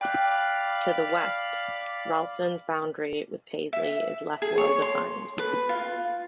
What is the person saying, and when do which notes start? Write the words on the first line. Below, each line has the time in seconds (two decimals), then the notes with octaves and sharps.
To the west, Ralston's boundary with Paisley is less well-defined.
0.01 D5 F5 G5 B5 F#6
3.73 E5
4.42 G#4
4.58 C#5
4.82 C6
5.39 B4
5.69 F4